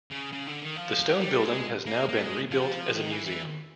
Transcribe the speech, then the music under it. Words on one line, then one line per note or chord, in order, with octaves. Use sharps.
The stone building has now been re-built as a museum.
C#3
C#3
D3
D#3
F3
F#3
G3
G#3
A#3
A#3
A3
G#3
F3
D#3
E3
E3